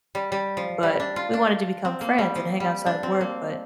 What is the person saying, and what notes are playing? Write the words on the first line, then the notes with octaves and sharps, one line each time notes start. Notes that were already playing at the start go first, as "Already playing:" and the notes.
but we wanted to become friends and hang outside of work, but
G3
G3
F3
G3
D4
F4
D4
C4
A#3
G3
F3
G3
D4
C4
A#3